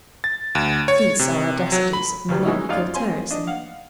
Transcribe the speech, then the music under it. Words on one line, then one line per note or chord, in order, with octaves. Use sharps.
These are audacities of monarchical terrorism.
A6
D2
C#5
C3
F#3
B5
D2 G2 F#3 G3
E3 G#3 C#4 D#4 E4
F#2 D#4 F4 D5 F5
C4 G#5 C6
D4 D#5
F5 F#5